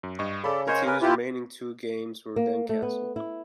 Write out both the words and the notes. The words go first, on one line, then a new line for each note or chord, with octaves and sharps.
The team's remaining two games were then cancelled.
F#2
G2 D#5 C#6
C#3 A4 D5 B5
C#4 A#4 C5 C#5 D#5 C6
A#4 B4 G#5
E4 F4 G4 B4
A#3
A3
B3
E4